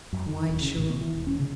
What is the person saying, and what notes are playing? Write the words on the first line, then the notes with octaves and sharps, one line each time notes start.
"Quite sure."
F#2
D#3
D#1
C#3
A1
B2
E3
E1
C#4
C#3